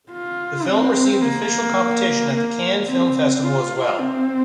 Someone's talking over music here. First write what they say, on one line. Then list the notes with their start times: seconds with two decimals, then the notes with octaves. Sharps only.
The film received official competition at the Cannes Film Festival as well.
0.11 F4
0.67 C4
1.22 A#3
2.33 A#3
2.89 C4
3.43 F4
3.99 C4